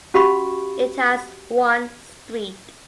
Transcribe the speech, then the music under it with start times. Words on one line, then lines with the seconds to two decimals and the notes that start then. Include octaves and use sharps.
It has one street.
0.14 C#4 F#4 G4 F5 B5 C#6